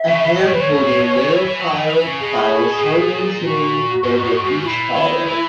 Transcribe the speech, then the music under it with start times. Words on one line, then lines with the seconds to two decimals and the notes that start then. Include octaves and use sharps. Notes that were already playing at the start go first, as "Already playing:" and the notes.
A hand holding a nail file files someone 's nail over a peach towel.
Already playing: E5
0.08 C#3
0.23 B2
0.38 A#2 D#5
0.46 C#5
0.53 A#2 B4
0.60 C#5
0.69 G#2
0.84 A#2
1.00 B2
1.15 C#3
1.30 E3
1.45 E3
1.60 F#3
1.72 F#3
1.75 E3
1.90 E3
2.06 C#3
2.21 B2 G#4
2.78 B2
2.82 A#2
3.43 F#4
4.04 G#2
4.24 G#2
4.44 G#2
4.60 F#4
4.65 A#2 E4
4.95 D#3
5.26 E3